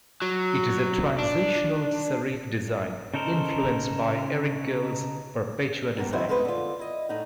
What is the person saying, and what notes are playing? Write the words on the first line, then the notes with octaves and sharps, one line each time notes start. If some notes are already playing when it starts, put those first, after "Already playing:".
It is a transitional serif design, influenced by Eric Gill's Perpetua design.
F#3
D4
C#3 D#4 A4 A#4 C5
C3 E3 B3 A#4 A5
D#3 G#3 C4 E4 F#4
F3 G#3 A3 B3 B4 C5
D3 F4
E4 D#5
A2 D#4 F#5